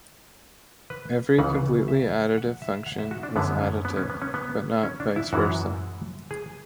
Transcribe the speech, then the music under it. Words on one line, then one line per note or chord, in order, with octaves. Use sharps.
Every completely additive function is additive, but not vice versa.
B4
C#2 C#3 E3 F#5
E5
F#5
E5
F#5
E5
F#4
D4
F#2 D3 G#3 B3
C#4
B3
C#4
B3
C#4
B3
C#4
D4
E4
F#2 E3 G#3 F#4
G#4